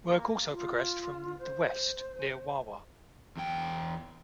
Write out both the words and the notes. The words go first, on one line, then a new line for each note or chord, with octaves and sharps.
Work also progressed from the west, near Wawa.
A#3
F4
C5
E2 G5